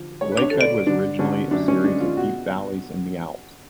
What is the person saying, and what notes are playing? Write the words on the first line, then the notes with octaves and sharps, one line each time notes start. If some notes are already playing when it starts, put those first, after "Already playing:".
The lake bed was originally a series of deep valleys in the Alps.
Already playing: D3 F3
G#3 C#5
B4
C#5
D3
D3 D4
D3 C#4
F#2 D4
C#4
G#3 D4
F4
B2 F#4